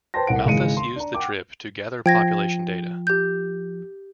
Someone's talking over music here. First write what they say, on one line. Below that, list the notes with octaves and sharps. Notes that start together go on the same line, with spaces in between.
Malthus used the trip to gather population data.
B4 C5 G5 A5 C6 A#6
C2 F#5 D7
G#1 C#3 E3 G#3 C#7 D#7
C6
D4 A#5
F#5 G5 D6
F3 G5 G#6 A#6
G4 G6